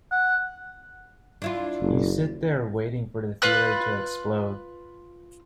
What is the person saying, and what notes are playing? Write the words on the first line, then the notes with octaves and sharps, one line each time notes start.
You sit there waiting for the theatre to explode.
F#5
D4 E4 F4
F#1
F4 B4 F#6